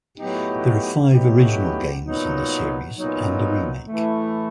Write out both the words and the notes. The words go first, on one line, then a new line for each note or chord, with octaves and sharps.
There are five original games in the series, and a remake.
A2 F#3 B3 D#4 G4
A2 F#3 B3 D#4 G4
A#2 F#3 B3 D#4
A#2 F#3 B3 D#4
A2 E3 A3